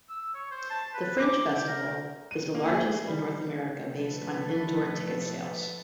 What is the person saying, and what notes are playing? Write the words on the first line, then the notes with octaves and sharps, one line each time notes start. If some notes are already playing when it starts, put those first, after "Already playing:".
The fringe festival is the largest in North America based on indoor ticket sales.
E6
C#5
C5
A5
B4
D6
G4
A#4
D#7
A#3
G#4
G3
F3 A3 A4 B4